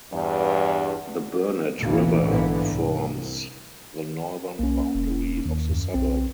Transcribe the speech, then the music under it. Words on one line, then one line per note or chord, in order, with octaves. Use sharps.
The Burnett River forms the northern boundary of the suburb.
E2 G2
A1 D2 B2 E3 A#3
A#1 G#2 D3 E3 A#3 B3
C2
B1 A#3 C#4
E1
D#2
F#2
B1 C4